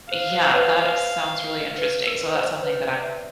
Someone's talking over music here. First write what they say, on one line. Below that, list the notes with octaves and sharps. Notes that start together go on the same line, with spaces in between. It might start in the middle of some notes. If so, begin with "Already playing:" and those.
Yeah. That sounds really interesting, so that's something that I'm
C5 F5
C5
B4 C#5
C5
B4
A#4
C5
B4 C#5
C5 D5
D5 E5